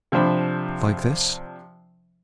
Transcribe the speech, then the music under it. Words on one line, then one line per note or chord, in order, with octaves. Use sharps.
"Like this?"
C3 F3 D4 C5 B5